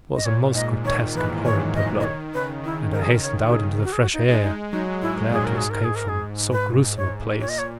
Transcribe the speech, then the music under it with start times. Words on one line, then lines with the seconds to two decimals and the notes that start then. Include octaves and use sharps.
It was a most grotesque and horrid tableau and I hastened out into the fresh air; glad to escape from so gruesome a place.
0.15 D#5
0.25 A#2 C#5
0.55 G#2 D#5
0.85 D#3 C#5
1.16 E3 B4
1.38 G#3
1.45 C#5
1.59 F#3
1.75 D#5
1.83 E3
2.00 D#5
2.04 D#3 C#5
2.34 C#3 B4
2.64 D#3 E4
2.93 A#4
3.03 G#4
3.12 A#4
3.23 C#5
3.48 F#4
3.53 G#4
3.83 F#4
3.93 G#4
4.01 F#4
4.14 D#4
4.28 G#3 D#4
4.43 D#4
4.72 F#3 D#4
5.02 G#2 E4
5.32 A#2 G#4
5.45 A#4
5.57 G#2 G#4
5.70 A#4
5.84 G#4
5.96 A#4
6.09 G#4
6.52 B4
6.97 C#5
7.41 A#2 C#5
7.49 D#5
7.59 C#5